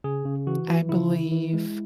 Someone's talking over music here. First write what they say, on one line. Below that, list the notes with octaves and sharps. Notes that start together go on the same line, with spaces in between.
I believe,
C#3 G#4
C#3
E3 F#4
E3
C#3 E4
E3
E3
G#3